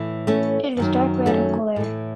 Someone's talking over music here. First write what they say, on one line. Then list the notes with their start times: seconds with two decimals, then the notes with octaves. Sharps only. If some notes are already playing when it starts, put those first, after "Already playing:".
It is dark red in colour.
Already playing: A2 E3
0.27 A3 C#4
0.77 F#2 D#3 F#3
1.26 A3 C#4
1.76 A2 E3